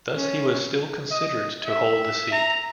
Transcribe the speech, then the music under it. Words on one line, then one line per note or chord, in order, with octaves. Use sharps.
Thus he was still considered to hold the seat.
C#4
D#5
E5
A#5